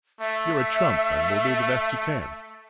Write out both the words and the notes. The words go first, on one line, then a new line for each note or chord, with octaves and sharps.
You're a trump; and will do the best you can.
A3 E5